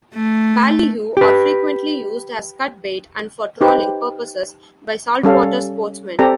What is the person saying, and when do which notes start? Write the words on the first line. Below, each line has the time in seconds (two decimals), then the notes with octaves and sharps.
Ballyhoo are frequently used as cut bait and for trolling purposes by saltwater sportsmen.
0.14 A3
1.17 G4 B4
3.61 D#4 G4 B4 C5
5.23 G3 C#4 A4 F5
6.19 C4 G4 A4 D5 A#5